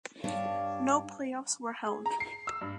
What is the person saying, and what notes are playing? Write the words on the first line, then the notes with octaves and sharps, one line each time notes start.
No playoffs were held.
G2 D4 C#5 F5
G#4
A#5
C7
E6
G2